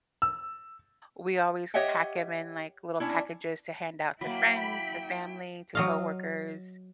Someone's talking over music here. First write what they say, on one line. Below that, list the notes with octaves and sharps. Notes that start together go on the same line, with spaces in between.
we always pack 'em in, like, little packages to hand out to friends, to family, to coworkers,
E6
G4 C#5 D#5 E5 F#5 G5
C#4 D4 E4
F#3 A#3 E4 G5 B5
F#3 D#5 F5